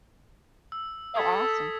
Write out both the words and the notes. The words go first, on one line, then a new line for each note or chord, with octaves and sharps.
Oh, awesome.
E6
A4 D#6 G#6 B6